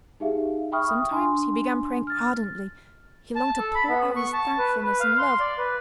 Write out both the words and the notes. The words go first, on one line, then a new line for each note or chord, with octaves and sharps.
Sometimes he began praying ardently, he longed to pour out his thankfulness and love....
D#4 G4 G#4 E5 F5
E5 G5 B5 C#6 D#6 F6
D4 G#5 C6
F6 A6
A5
A4
B5
B3
C#6
A5
B4
B4
F5
C6
D5
B4